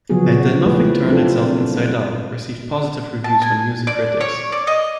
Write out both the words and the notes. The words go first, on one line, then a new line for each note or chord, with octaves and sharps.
"And Then Nothing Turned Itself Inside-Out" received positive reviews from music critics.
C#3 F3 F#3 B3 F#4 G#4
F3 A3 E4 G4 B4
C4 D4 F4 A4
A5
G#5
D5
C#5
D5
D#5